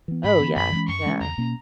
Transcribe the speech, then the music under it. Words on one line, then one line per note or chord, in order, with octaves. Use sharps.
Oh, yeah. Yeah.
E3 B3
G#2 B5
E3 B3
F#2 B5
E3 G#3 C#4
F#2 C#6
E3 G#3 C#4
E2 A#5
B2 A#3 C#4